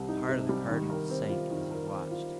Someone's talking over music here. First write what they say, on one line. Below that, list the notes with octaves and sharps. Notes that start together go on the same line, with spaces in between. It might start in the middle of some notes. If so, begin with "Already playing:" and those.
The heart of the Cardinal sank as he watched.
Already playing: C2 C3 G3
D#4
C3
G3
D#3
A#4
C4
F4
D#3
A#4
C4
F4